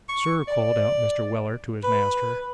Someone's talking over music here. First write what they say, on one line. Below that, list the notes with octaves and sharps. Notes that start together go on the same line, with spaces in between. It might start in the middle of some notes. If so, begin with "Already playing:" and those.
'Sir,' called out Mr. Weller to his master.
C#6
D5
B4